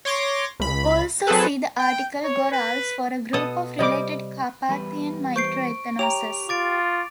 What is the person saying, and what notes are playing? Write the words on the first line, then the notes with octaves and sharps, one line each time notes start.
Also see the article Gorals for a group of related Carpathian microethnoses.
C#5 C6 D6 A#6
C#2 B5
F#3 C4 G#4 A4 B4
G5
C#5
B4
B2 B3 A4 D#6
C3 G3 D#5 D6
E2 G3 B4
C5 C#6 G6 C7 D7
G4 C#5 G5 A#5 F7
F4 D6 A6 D7